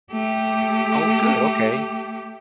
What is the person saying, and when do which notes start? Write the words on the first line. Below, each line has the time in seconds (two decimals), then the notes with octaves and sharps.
Oh, good. Okay.
0.12 A3 G4